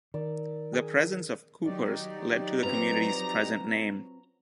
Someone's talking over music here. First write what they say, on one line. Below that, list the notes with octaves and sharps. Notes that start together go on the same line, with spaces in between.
The presence of coopers led to the community's present name.
D#3 A#4 D5
G#4
D#3 F#3 D#4 G4 D5
C4 F4 B4 A#5